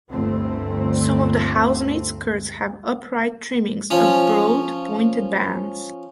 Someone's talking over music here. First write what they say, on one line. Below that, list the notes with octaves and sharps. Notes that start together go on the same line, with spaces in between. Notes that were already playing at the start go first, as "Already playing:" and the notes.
Some of the housemaid skirts have upright trimmings of broad pointed bands.
G1 D2 G2 A3 C4
F3 C#4